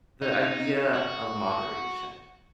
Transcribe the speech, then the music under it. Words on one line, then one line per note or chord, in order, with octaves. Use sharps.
the idea of moderation.
D#4
F#4